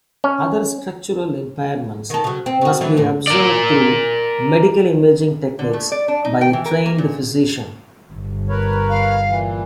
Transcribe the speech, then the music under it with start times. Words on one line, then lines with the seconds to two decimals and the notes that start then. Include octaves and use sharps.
Other structural impairments must be observed through medical imaging techniques by a trained physician.
0.24 C#4
2.10 D#3 A4
2.24 C#3 F#3
2.46 C4
2.61 C#3 F#4
2.81 E3 F#3 A3
2.97 D#2 A2
3.27 A#4 D5
5.59 D3
5.73 A3
5.92 D5
6.08 D4
6.25 D#4
6.41 G5
6.53 E3
6.65 A#4
6.86 A#3
6.98 A#2
8.14 G1
8.49 A#4 B4 C#5
8.90 F5
9.28 A#2 E3